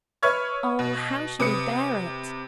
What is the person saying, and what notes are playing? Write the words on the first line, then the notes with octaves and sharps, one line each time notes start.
Oh! how should he bear it?
B4 C#5 E5 C#6 F6 G#6
B2
C3 B4 D#6 C#7